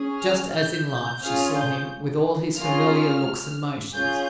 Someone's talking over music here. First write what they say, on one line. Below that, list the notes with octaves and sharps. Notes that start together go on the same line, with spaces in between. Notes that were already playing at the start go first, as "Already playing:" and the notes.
Just as in life, she saw him, with all his familiar looks and motions.
Already playing: C#4 G#4
F6
G6
G6
C#4 F4 G#4 F6
G6
A#3 C#4 F4 G#4 F6
C#4 F4 G#4 G6